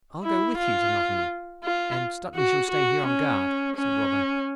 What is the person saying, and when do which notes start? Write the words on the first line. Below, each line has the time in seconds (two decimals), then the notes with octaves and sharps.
"I'll go with you to Nottingham--and Stuteley shall stay here, on guard," said Robin.
0.23 E4
0.57 F4
1.64 F4
2.35 F#4
2.70 F#4
3.06 C#4
3.76 C#4